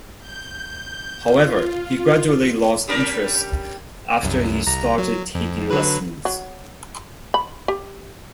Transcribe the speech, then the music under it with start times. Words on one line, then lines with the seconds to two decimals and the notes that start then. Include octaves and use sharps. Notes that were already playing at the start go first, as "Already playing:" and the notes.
However, he gradually lost interest after he started taking lessons.
0.18 G6
1.25 F4
2.88 G3 C#4 A#4
4.23 C2 F#2
4.67 C2 A#5
4.98 F#3
5.35 F2
5.70 D3 F#3 B4
6.25 F#3
7.34 B5
7.68 G4